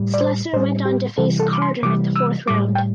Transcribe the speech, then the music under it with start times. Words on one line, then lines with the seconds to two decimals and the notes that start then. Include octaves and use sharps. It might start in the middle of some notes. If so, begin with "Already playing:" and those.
Slessor went on to face Carter in the fourth round.
Already playing: A2 G3
0.14 D5
0.20 C5
0.53 A2 G3 C5
0.85 G4
1.18 C3 E3 G3 A4
1.39 A4
1.53 D6
1.62 C6
1.83 C3 E3 G3 D6
2.16 E6
2.48 A2 G3 D6
2.75 G5